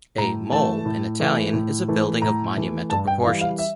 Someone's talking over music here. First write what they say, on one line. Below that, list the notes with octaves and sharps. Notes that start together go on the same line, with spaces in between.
A "mole" in Italian is a building of monumental proportions.
A2 A#5
E3 A3 A5
A2
E3 A3
A2
E3 A3
A2 A#5
E3 A3
G2 A5
G5
E3 G3 F5
F5
E5